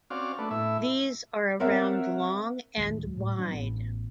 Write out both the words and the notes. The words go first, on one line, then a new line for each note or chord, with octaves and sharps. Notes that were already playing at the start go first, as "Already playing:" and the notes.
These are around long and wide.
C4 C#4 F#4 D5 F5
A3 B3 D4
A2 E4 E5
C4 A#4 C5 C#5 E5 F#5
D1 A#1 D#2 G#3
A2
F#3 D4
A1 B3